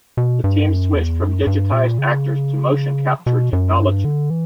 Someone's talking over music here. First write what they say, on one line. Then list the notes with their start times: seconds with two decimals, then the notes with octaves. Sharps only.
The team switched from digitized actors to motion capture technology.
0.17 B2
0.44 G2
0.69 F#2
0.95 E2
1.21 F#2
1.47 G2
1.72 A#2
1.98 C#3
3.26 B2
3.53 F#2
3.79 G2
4.05 D3
4.30 E3